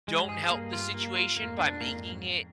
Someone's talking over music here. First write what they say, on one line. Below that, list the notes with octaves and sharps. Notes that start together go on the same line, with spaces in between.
don't help the situation by making it
G#3
G2
G#4
G2 A#3
F4
A#3
F4
F2 G#2 A#3
D4
A#3